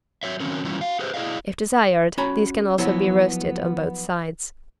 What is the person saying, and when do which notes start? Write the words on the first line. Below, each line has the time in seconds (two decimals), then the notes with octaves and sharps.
If desired these can also be roasted on both sides.
0.23 F#3 C#5 E5
0.40 D#3 F#3 C4 C#4 A#4
0.64 E3 G3 C#4 E4 F4
0.81 F#4 F5
0.99 G4 G#4 B4 C5 E5
1.14 E4 G#4 D5 D#5 F5
2.18 C#4 F#4 A#5 B5
2.78 F3 F#3 B3 E4 F#4